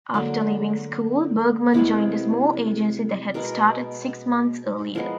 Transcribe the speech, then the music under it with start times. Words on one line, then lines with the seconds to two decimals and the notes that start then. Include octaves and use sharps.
After leaving school, Bergman joined a small agency that had started six months earlier.
0.14 D3 F#3 A#3
1.73 C3 F3 G#3 B3 E4
3.34 B2 G#3 B3 A#4
4.95 F3 G#3 B3 A#4